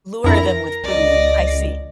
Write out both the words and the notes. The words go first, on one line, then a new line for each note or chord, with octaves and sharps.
Lure them with food, I see.
F2 D3 E4 A#4 A#5
C#2 D5 D#5